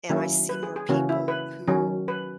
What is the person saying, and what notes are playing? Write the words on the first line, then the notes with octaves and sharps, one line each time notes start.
and I see more people who
D#3 F#3 A#3 C#4 E4
B4
G#4
G#4
C#3 E3 A#3 C#4 F#4
E4
B4
D#3 F#3 C#4
B4